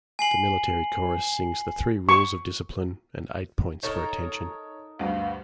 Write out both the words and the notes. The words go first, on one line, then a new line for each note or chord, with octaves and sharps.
The military chorus sings the Three Rules of Discipline and Eight Points for Attention.
G#5 C7 F#7
C#6
D#4 A4 A#4 C#5
D2 G2 F5